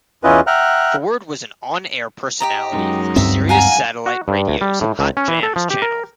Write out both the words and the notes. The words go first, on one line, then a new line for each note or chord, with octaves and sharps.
Ford was an on-air personality for Sirius Satellite Radio's Hot Jamz channel.
E2 C#4 E4 F4 B4 D#5
E5 F#5 G5 A#5 F6 F#6
G4 D#5 A#5
F#2 G#3 D#4
D2 G2 C4 E5
F5 F#5 G#5 A#5
F#4
G2
D2
G3
A2
C#2
C#4
E3
A4
F3
G4
A#4